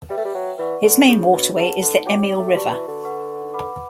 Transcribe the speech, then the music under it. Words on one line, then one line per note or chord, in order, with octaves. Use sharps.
Its main waterway is the Emil River.
G3 B4 E5 G5
A3
G3
F#3
E3 B4 D5 F#5 C#6
D3
C#3 D4 A4 C#5
B2
C#3 B4 F#5 A5
D3
F#3 C#5 G5 D6
G3
A3
G3 F#4 B4 D5 A5 C#6
E3
D3
B4 F#5 C#6
B4 F#5 B5 D6